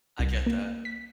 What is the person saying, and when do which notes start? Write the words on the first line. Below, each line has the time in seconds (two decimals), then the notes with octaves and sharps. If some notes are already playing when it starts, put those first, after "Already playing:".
I get that.
0.19 C2
0.46 A#3
0.85 B6